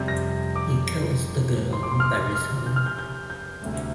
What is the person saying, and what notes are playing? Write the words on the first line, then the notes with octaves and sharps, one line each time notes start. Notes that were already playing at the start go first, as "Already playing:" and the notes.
He kills the girl and buries her.
Already playing: F2 C3 G3 G6
A#6
D6
C6
D6
C6
F6
D6
F6
G6
F6
G6
G6
G6
D2 C3 G3